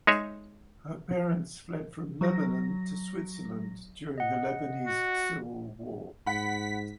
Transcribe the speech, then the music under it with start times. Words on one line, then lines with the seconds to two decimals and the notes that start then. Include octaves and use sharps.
Her parents fled from Lebanon to Switzerland during the Lebanese Civil War.
0.07 G#3 D#4 G#4 C#5 E5
2.21 F#3 A#6
4.18 D#5 F#5
4.86 F#4
6.26 G#2 F#5 B5 B6